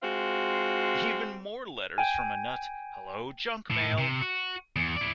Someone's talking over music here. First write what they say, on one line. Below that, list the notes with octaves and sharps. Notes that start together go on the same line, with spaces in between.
Even More Letters from a Nut", "Hello Junk Mail!
G#3 C4 F4 F#4
G5 G#5
A2
C3
F#4
E2
E4 D5